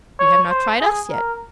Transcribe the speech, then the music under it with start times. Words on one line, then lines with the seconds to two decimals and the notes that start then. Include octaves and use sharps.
You have not tried us yet.'
0.19 C#5
0.49 C5
0.80 G#4
1.11 A#4